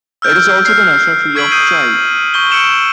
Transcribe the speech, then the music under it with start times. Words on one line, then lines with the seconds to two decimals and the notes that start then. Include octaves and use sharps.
It is also the national tree of Chile.
0.22 E6 F6 G6 D7
0.65 F6 G6 C7
1.35 C#6 E6 G#6 B6 D7 F#7
1.52 D#6 G6 C7 D#7
2.34 C#6 G6 G7
2.51 E6 C#7 D7 E7 F#7